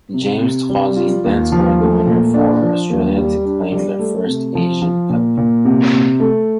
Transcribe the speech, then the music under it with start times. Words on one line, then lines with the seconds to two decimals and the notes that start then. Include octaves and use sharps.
James Troisi then scored the winner for Australia to claim their first Asian Cup.
0.14 C3
0.42 C3
0.70 G3
0.96 F4
1.24 D#2
1.52 F3
1.80 A3
2.06 A#2
2.34 D4
2.62 F3
2.90 D#2
3.17 G3
3.45 D4
3.72 G3
3.99 A3
4.27 C3
4.55 F3
4.82 F3
5.10 A#2
5.38 A#2
5.65 C3
5.93 C3
6.20 A3